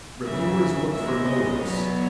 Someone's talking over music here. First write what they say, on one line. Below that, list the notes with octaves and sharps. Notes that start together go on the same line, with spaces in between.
Reviewers look for motives.
F#2 C#3 E3 E5
C#3 G#3 B3 E5
D#5
E2 B2 F#3 B3 C#5